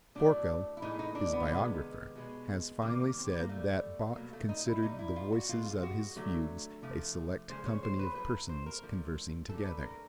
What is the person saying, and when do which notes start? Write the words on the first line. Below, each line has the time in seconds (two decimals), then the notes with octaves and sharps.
Forkel, his biographer, has finely said that Bach considered the voices of his fugues a select company of persons conversing together.
0.15 A2 F#3 A3 D4
0.77 E4
0.82 A2 E3 G#3 D#4
0.99 D#4
1.15 D4
1.33 B3
1.49 C3 D#3 G#3
2.16 B2 G#3
2.82 C3 D#3 G3 A#3
3.19 C4
3.29 B3
3.39 A#3
3.49 B2 G3 A3
4.15 B2 F#3 A3 A#3
4.33 A3
4.49 D#4
4.66 E4
4.82 A#2 G3 D#4
4.99 E4
5.16 F4
5.32 F#4
5.49 B2 G#3 F4
5.66 F4
5.83 F#4
6.16 D3 F#3 A3
6.82 C3 F3 A3
7.49 C#3 F3 G#3 C5
7.66 C#5
7.83 C5
7.99 B4
8.15 A2 F#3 A3 B4
8.49 C5
8.66 A#4
8.82 D3 F3 A3
9.49 D3 F#3 A3 A4
9.66 B4
9.82 A#4